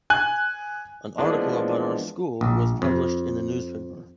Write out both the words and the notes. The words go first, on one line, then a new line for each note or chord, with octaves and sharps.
An article about our school was published in a newspaper.
G#5 F#6
E3 F3 G#3 A#3 B3 D4
A#1
F2